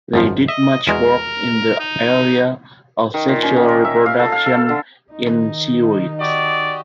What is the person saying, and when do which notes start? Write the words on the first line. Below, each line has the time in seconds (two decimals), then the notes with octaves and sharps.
They did much work in the area of sexual reproduction in seaweeds.
0.13 G#1 F#2 F3
0.48 D#5 E5
0.87 E2 G#3 F#4 A#4
1.79 D#4
3.14 D#3
3.28 A#2
3.43 C#4
3.56 D#3
3.68 A#4
3.85 E5
4.06 F5
4.19 A4
4.32 F5
4.46 A4
4.69 D3
5.12 D#3 D#4
6.20 F#4 G4 D5 D#5